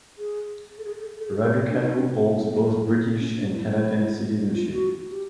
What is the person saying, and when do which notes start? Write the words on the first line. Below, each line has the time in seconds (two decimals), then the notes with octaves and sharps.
Raducanu holds both British and Canadian citizenship.
0.18 G#4
0.78 A4
0.85 G#4
1.02 A4
1.20 A4
1.27 G#4
1.37 A4
1.44 B4
1.53 G4
1.69 D4
1.81 D#4
1.95 D4
2.20 C4
2.36 B3
2.54 A#3
2.69 A#3
2.87 A#3
3.04 C4
3.20 C#4
3.37 D4
3.54 E4
3.71 E4
4.55 F4
4.71 F#4
5.11 G4